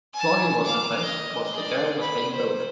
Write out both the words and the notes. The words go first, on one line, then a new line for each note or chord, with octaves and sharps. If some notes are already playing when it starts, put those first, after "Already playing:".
Flogging was in place whilst the gaol was being built.
G#5 A5
F5 D6
D#5
G#4 D5
B5
C5